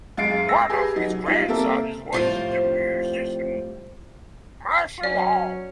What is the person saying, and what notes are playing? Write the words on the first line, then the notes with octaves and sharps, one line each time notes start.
One of his grandsons was the musician Marshall Hall.
F#2 G#3 F5 A6 C7 D7
E6 A#6
G4 G#4 B4
F#3 D#4
G3 D#4 F4
A#3 C4 A4 A#4 E5
F2 A2 G3 F4 C5 A5
F#3 C#4 D5